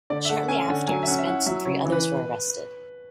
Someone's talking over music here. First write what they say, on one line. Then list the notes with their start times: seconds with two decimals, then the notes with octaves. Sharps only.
Shortly after, Spence and three others were arrested.
0.10 D3 D5
0.25 E5
0.29 A3 F#5
0.48 C#4 G#5
0.68 D3 F#5
0.87 F#3 G#5
1.03 E5
1.08 C#4 F#5
1.19 E5
1.27 E4 F#5
1.46 F#3 E5
1.65 C#3 C#5
1.86 E3
1.92 B4